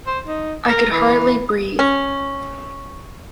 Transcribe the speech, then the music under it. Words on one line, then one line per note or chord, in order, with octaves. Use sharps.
I could hardly breathe.
C5
D#4
A#4
E3
C#4